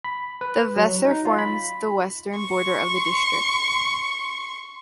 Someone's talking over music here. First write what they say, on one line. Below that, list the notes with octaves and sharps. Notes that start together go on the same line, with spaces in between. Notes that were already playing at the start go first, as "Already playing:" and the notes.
The Weser forms the western border of the district.
B5
B4
F#3
D#4
F4
B5
C6 C#6